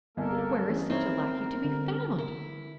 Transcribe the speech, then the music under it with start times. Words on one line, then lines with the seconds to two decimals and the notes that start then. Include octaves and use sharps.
"But where is such a lackey to be found?"
0.17 G1 C2 A#3 A4 A#4 G#5
0.69 C#3 E3 C#4 G#4
0.90 C4 D#4 E4 A#4 C#5
1.64 D3
2.19 E4 A#4